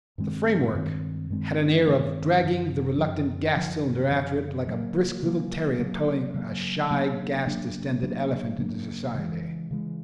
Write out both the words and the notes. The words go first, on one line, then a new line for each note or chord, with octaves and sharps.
The framework had an air of dragging the reluctant gas-cylinder after it like a brisk little terrier towing a shy gas-distended elephant into society.
G2 D#3 G#3 C4
G2 D#3 G#3 C4
G2 D#3 G#3 C4
G2 D#3 G#3 C4
F#2 D3 F3
F#2 D3 F3
F#2 D3 F3
F#2 D3 F3
C#3 F#3 A#3
C#3 F#3 A#3
C#3 F#3 A#3
C#3 F#3 A#3
C#3 F#3 A#3 D4
C#3 F#3 A#3 D4
C#3 F#3 A#3 D4
C#3 F#3 A#3 D4
C#3 E3 G#3
C#3 E3 G#3